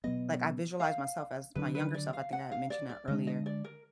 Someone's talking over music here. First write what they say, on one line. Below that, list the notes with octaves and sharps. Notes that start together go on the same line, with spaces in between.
like, I visualize myself as my younger self. I think I had mentioned that earlier.
B2 F#3 B3 D#5
F5
D3 F#3 D4 B4
B4
D5
F5
F#5
F5
D5
D5
D3 G#3 D4 D#5
D#5
D5
A#4